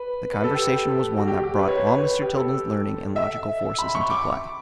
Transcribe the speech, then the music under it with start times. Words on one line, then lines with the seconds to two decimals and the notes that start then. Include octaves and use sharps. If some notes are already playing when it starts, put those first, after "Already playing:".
The conversation was one that brought all Mr. Tilden's learning and logical forces into play.
Already playing: B4
0.33 B4
0.44 A4
0.54 G4
0.65 G4
1.18 F#4
1.28 G4
1.44 G4
1.59 B4
1.68 C#5
1.78 B4
1.87 C#5
1.97 B4
2.22 G4
2.37 A4
3.16 E5
3.79 B5
3.95 C#6
4.10 D6